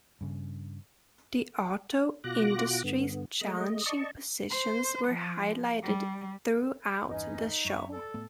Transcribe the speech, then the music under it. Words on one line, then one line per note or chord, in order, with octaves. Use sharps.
The auto industry's challenging positions were highlighted throughout the show.
G2 C#3
B2 F4 F#4 D6 F#6 A#6
G2 D3 B3
G#3 A3 D#5
D5 D#5 A5 C#6
C5
F3
G3
G1 E2 C#4 D#4 B4 D#5
F#2 E5 A#5 C#6
A4 D5
A2 A3 B3